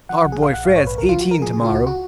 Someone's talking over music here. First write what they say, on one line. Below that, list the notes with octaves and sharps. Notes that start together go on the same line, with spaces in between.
Our boy Fred is eighteen to-morrow.
F3 F#5
A#1 F#5
G#4
A#1 F5
A#1 F#5
G#2 F5
C#5
A#1 B4
C#2 A#4
F3 F4
F#4
F3 A#4
F3 G#4
C#3 G#4
F4
C#2 F#4
F#4